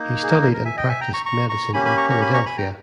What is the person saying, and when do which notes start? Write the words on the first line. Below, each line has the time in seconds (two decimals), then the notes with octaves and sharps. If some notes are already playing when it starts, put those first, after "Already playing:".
He studied and practiced medicine in Philadelphia.
Already playing: A#3 D#4
0.23 G#4
0.30 A#4
0.42 A#4
0.53 A#4
0.65 E5 G#5
0.77 D#5 G5
0.89 E5 G#5
1.01 G5 A#5
1.13 A#5 C#6
1.26 A#5 C#6
1.49 A#5 C#6
1.73 A#3 C#4 G4 G#5 B5
1.85 G#5 B5
1.97 A#5 C#6
2.10 A#5 C#6
2.22 G#5 B5
2.34 A#5 C#6
2.46 G#5 B5
2.57 G5 A#5